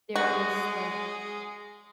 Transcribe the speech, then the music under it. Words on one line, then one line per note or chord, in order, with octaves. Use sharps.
there is, like,
G#3 F#4 G#4